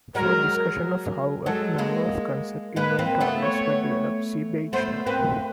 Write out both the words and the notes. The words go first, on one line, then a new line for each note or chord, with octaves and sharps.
For a discussion of how a number of concept inventories were developed see Beichner.
F#3 G#3 A#4
F#3 G#3 A4
G#3 A#3
G#3 A#3 B4
A#3 C4
A3 B3
C#5
A3 B3 C5
A#3 C4 B4